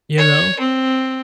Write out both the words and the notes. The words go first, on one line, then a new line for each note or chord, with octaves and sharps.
You know?
C#5
C4